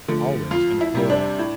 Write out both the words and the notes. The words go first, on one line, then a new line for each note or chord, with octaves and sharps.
Always in a quarrel.
D3 F3 A3
F2 F4
E4
C3 G3
D4
A2